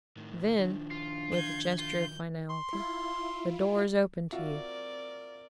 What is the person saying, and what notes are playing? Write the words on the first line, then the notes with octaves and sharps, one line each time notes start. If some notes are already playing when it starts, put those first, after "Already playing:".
Then," with a gesture of finality, "the door is open to you.
A2 D#3
D#3 F3 D4
F4
G6 G#6
F4 G6
C6
E4 F4
C4 F4 F#4 A#4 D5 E5